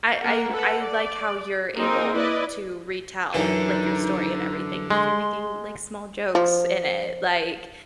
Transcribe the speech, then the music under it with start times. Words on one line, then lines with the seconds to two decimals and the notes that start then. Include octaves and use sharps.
I I I like how you're able to retell, like, your story and everything, like you're making, like, small jokes in it, like
0.20 A#3 A#4 F#5
0.52 A4 B4 F#5
0.83 D5
1.75 A#3 C4 D#4 G#4 A#4
2.14 E4 B4 D5 D#5
3.34 F#2 D3 E3 D#4
4.90 G#3 C6
6.35 F3